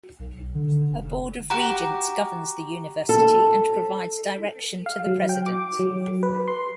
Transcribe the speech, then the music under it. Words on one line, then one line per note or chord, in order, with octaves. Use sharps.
A board of regents governs the university and provides direction to the President.
B1
D3
F1
F#4 G4 A#5
A4
F5
F#3
G5
D6
F#3
B4
C6